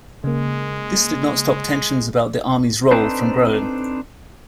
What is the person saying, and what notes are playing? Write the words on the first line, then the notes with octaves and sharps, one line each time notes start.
This did not stop tensions about the Army's role from growing.
C#3 G#3 A#3
C4 D4 D#4 A4 B4 C5